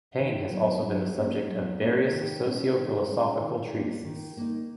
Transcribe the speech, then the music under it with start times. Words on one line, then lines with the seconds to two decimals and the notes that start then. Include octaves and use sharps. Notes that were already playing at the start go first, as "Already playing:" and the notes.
Pain has also been the subject of various socio-philosophical treatises.
0.19 D#3
0.51 F#3 B3 D#4 A#4
0.83 F#3
1.15 A#3 C#4 F#4 C#5
1.48 F#3
1.80 A#3 C#4 F#4 C#5
2.12 D#3
2.44 G#3 C#4
2.76 D#3
3.09 G#3 C#4
3.40 D#3
3.72 A#3 D#4
4.05 D#3
4.37 A#3 D#4